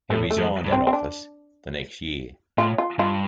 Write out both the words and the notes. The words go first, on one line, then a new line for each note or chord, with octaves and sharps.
He resigned that office the next year.
A2 A3
A3
F2
G2
C4
C4
D4
A2 F4
F4
G2 F4